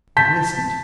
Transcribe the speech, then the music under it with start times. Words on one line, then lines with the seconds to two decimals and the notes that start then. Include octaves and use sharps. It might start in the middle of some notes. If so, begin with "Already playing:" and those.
We listened.
0.17 A5 G6 B6